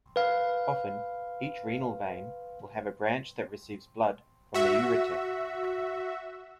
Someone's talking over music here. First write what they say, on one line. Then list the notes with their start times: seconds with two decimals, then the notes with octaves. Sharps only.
Often, each renal vein will have a branch that receives blood from the ureter.
0.16 B4 F5
4.54 F#4 E5